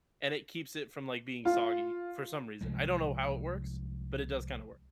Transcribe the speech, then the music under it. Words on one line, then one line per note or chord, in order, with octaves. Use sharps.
and it keeps it from, like, being soggy for some reason. I don't know how it works, but it does kinda work.
F4
C2 F3 G#3